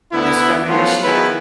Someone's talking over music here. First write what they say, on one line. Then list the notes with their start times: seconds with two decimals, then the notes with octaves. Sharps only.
the strawberry shake
0.12 D2 D3 B3 E4
0.68 F3 F#3 A3 B3 C#4 F4
1.03 D#3 F3 B3 E4 G#4 B4